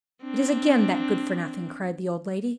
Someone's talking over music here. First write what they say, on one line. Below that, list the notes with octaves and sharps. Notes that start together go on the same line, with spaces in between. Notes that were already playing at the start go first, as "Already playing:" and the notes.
"It is again that good-for-nothing!" cried the old lady.
C4 D4